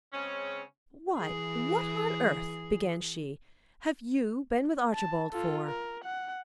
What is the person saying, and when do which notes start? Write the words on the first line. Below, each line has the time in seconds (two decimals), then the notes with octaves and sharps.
"Why--what on earth!" began she, "have you been with Archibald for?"
0.13 C#3 G#3 C4 C#4
1.19 E3 G#4
4.94 A5
5.33 F4 A4
5.66 A#4
6.04 F#5